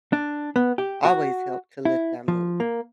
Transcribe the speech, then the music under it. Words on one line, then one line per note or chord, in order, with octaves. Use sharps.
always help to lift our mood.
D4
B3
G4
F#4
E4
F3
A#3